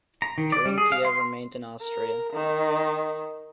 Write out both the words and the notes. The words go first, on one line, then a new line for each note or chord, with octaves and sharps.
Carinthia remained in Austria.
A#5
D#3
D5
G3
G#4
F5
C6
A#4
D#3